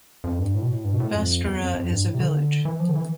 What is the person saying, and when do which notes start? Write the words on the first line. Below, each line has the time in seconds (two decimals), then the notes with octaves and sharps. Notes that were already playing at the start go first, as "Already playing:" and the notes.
Bastora is a village.
0.24 F2
0.39 G2
0.55 A2
0.62 B2
0.70 A2
0.85 G2
0.93 B2
1.00 A2
1.15 F2
1.45 E2
1.60 F2
1.75 F2
1.90 G2
2.05 A2
2.14 C3
2.20 D3
2.65 E3
2.80 F3
2.88 D3
2.95 E3